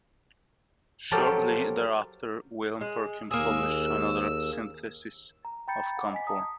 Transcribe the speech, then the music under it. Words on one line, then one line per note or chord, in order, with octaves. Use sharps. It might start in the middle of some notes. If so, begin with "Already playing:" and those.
Shortly thereafter, William Perkin published another synthesis of camphor.
F3 F#3 F4 G4 A4 A#4
G#3
D#2 A#3 G#4 E6
A#5
G5 A#5 B5 G6 A6 C#7
F#5 D6
D#5 G#5 B6
A5 A#5 D#6